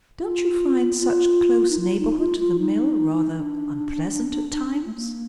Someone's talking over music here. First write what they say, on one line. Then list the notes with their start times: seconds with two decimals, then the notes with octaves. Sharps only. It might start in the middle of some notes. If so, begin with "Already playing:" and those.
'Don't you find such close neighbourhood to the mill rather unpleasant at times?'
0.21 F4
1.00 F4
1.70 D#4
1.80 F4
1.99 D#4
2.19 F4
2.39 F4
2.59 D#4
3.38 D4
4.86 A3
4.95 A#3